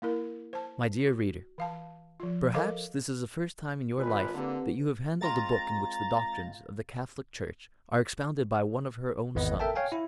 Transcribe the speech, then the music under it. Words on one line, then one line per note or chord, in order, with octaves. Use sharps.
MY DEAR READER:--Perhaps this is the first time in your life that you have handled a book in which the doctrines of the Catholic Church are expounded by one of her own sons.
A#3 E4 A#4
C5 A5
F#4
E3 F5 A5
F3 F4
A4 A#4 C5 D#5 F5 D6
G#1 F4 B4
D3 A#3 C4 G4 B4
G#3 C4 F4 A#5 A6
G#1 E2 B3 B4 D#5
A4 A#4 E5 G5 A5
C#5 F5 G5 G#5
E4